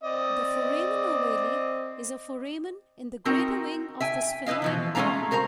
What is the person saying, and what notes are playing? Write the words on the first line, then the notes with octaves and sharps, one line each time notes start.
The foramen ovale is a foramen in the greater wing of the sphenoid bone.
C4 D5 D#5
C4 D#4 F#4 A#4
E5 G5 G#5
E4 B4 C#5 D#5 F5
B2 E3 F3
G#3 A3 C#4 D4 F5 A#5
F#4 A#4 C5 E5 A#5